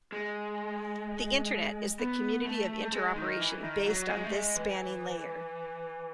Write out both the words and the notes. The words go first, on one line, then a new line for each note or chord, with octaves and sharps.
The Internet is the community of interoperation based on this spanning layer.
G#3
B3
A3
G#3
D#3
E3
D#3
F#3
G#3
A3
G#3
E3